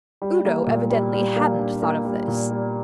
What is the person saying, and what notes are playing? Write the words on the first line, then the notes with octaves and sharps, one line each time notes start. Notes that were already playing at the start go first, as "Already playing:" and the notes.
Udo evidently hadn't thought of this.
G3
A#3
A#2
G3
G3
A#3
D4
A#3
G3
A#2
G3